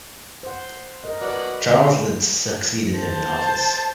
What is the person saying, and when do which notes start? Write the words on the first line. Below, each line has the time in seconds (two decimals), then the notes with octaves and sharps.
Charles Lynch succeeded him in office.
0.43 C5 F#5
1.04 A#4 D#5
1.21 F#4 B4 D5 F#5
1.68 D3 C4 C5
2.96 C5 A5